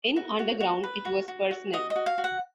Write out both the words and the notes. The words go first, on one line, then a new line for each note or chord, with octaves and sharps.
In "Underground", it was personal.
F#4
F#4
F#4
B4
F#4
F#4
F#4
F#4 D#5
D#5
F#4
F5
F#4
F#5